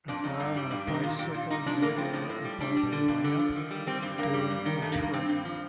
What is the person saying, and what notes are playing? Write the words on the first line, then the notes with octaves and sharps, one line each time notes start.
A guy on a bicycle midair above a ramp, doing a trick.
F2 D4
F2 D#4
G2
G3
G2
D#3
D#4
A#2 F4
A#2 G4
A#2 F4
G3 D#4
F3 D4
A2 A#3
F3 C4
A2
A2
G3
G3 D4
G3
D3
G2
D3
F3
D#3
G3
G3 C4
G2
G2 A#3
G3
G2
D#3
G2 A3
A#3
G2
A#3
G2 C4
G2
F3